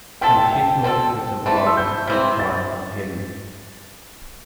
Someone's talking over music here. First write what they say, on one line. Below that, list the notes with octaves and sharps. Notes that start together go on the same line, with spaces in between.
Panshitou reservoir is not far from Hebi.
C3 A3 C4 A4 G5
G5
G5
D3 C4 A4 G5
E3 A3 C4 A5
C6
E6
G6
C3 E3 C4
A6